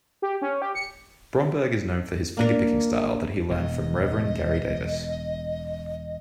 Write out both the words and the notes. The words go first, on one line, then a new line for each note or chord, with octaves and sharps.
Bromberg is known for his fingerpicking style that he learned from Reverend Gary Davis.
G4
C#4
G4
C#7
A#3 D4 A#4
E1 E2 D#5